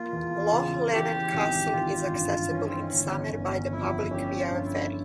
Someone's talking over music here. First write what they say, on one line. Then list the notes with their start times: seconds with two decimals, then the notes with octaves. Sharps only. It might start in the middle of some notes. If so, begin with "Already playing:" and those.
Loch Leven Castle is accessible in summer by the public via a ferry.
Already playing: F3 A#3 F4
0.13 E2
0.52 C#3
0.88 F4
0.92 E3 G4
1.33 G#1
1.72 G#1 F4
2.12 G2
2.52 E3 C#4
2.66 C4
2.79 C#4
2.92 G1
3.31 G1 C#4
3.72 F2 E4
4.11 C#4 G4
4.33 G4
4.38 F4
4.51 G2 F4
4.65 E4